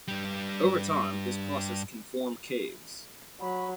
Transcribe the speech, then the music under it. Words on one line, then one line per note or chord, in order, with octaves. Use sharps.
Over time, this process can form caves.
G2 G3
F#3 B5